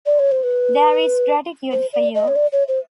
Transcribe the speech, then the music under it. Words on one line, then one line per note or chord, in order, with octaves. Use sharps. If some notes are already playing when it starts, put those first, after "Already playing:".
There's gratitude for you!
D5
C#5
C5
B4
C5
D5
D#5
C#5
D5
C#5
C5